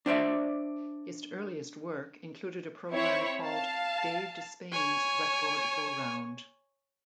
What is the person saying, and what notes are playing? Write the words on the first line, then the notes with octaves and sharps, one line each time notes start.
His earliest work included a program called "Dave Despain's Record-Go-Round".
D4 C5 D5 E5
C4 E4 C#5
F5 A5
C#5 G#5